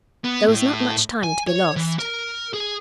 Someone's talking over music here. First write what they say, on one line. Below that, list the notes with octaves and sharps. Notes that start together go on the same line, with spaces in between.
There was not much time to be lost.
B3
A2
G#5
C#5
E3
A#4
G#4